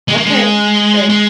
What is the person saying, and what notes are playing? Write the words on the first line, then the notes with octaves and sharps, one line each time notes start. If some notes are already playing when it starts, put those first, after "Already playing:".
Okay, okay.
G#3
A#3
G#3
G#3